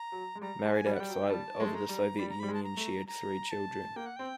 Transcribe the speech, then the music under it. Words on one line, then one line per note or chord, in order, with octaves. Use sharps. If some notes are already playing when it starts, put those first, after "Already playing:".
Married outside of the Soviet Union, she had three children.
Already playing: A#5
F#3
G#3
G3 A#5
G#3 A5
G#5
G3
F#5
G3 G5
F#3
G3 A5
G#3
A3
G#3 A#5
G3
G3 B5
A#5
G3 B5
G#3
A5
A#5
A3
A#5
A5
A#3 G5
F#5
C4 G5